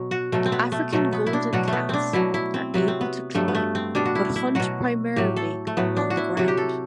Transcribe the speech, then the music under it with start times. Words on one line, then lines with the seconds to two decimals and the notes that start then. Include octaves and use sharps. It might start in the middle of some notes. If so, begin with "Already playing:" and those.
African golden cats are able to climb, but hunt primarily on the ground.
Already playing: B2 F#3
0.11 F#4
0.32 B2 F#3 A3
0.46 C4
0.52 B3
0.72 A3
0.92 B2 F#3 A3
1.13 B3
1.27 E4
1.33 D4
1.53 B2 F#3 F#4
1.68 A3 B3
1.89 C4 D4
2.13 B2 F#3 E4
2.34 E4
2.54 C4
2.74 C3 F#3 B3
2.88 C4
3.01 B3
3.35 G2 F#3 A3
3.48 B3
3.55 A3
3.75 C4
3.95 B2 G3 D4
4.05 F#4
4.15 E4
4.36 E4
4.55 B2 F#3 F#4
5.16 A2 F#3 G4
5.36 A4
5.67 A3
5.77 A2 F#3 B3
5.97 D4
6.10 F#4
6.17 E4
6.37 C3 F#3 F#4
6.48 G4
6.57 A4